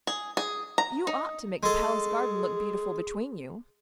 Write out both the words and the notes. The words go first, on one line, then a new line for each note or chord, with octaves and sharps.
"You ought to make the Palace garden look beautiful between you."
G#4
G#4
A#5
D#4
G#3 G#4 A4